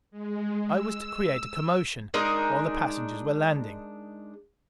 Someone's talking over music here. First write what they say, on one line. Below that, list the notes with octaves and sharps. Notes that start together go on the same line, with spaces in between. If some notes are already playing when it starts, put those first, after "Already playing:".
I was to create a commotion while the passengers were landing.
G#3
E6
G#3 D4 D#4 A#4